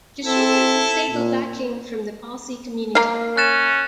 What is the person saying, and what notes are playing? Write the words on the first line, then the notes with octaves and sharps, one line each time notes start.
Kishore as a stable backing from the Pasi community.
C4 E4 A4
A#2
A#3 F5
C#4 F#6 A6 E7